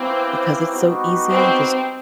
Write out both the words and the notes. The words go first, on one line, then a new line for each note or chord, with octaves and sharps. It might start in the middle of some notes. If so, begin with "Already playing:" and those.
because it's so easy; you just
Already playing: A#3 C4 C#4 E4 G4 B4
G3 B3 D#4 F#4
C4